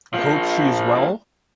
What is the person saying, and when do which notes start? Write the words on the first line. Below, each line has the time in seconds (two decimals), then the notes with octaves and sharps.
I hope she is well?
0.14 F3 A#3